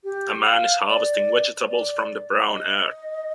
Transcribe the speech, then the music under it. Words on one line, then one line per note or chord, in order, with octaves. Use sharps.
A man is harvesting vegetables from the brown earth.
G4
F5
D5
D5
D#5